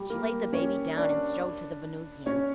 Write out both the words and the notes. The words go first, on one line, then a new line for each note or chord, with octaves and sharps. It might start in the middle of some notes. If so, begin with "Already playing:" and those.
She laid the baby down, and strode to the Venusian.
Already playing: G3 G4
A#3 A#4
C#4 C#5
D4 D5
C#4 C#5